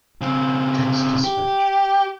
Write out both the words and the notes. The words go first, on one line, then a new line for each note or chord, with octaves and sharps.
Text to Speech.
C#3 C4
G4